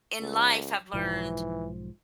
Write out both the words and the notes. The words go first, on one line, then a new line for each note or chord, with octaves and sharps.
in life, have learned
C#2
B1 G#2 E3 F3